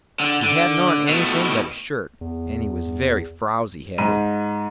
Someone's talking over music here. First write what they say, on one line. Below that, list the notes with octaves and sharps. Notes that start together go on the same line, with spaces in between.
He hadn't on anything but a shirt, and he was very frowzy-headed.
D3
D3
B2 A3
E2
G#2 D#7